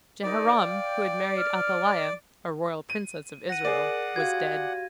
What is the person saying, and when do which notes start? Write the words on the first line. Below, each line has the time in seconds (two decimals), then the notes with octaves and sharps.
Jehoram, who had married Athaliah, a royal princess of Israel, was dead.
0.23 C2 D#4 D5
0.56 F5 G5
1.37 F6
2.90 D#7
3.49 F#5 A#6 D#7
3.65 G#4 A#4 D5 D6
4.16 F#4 G4 F5 G#6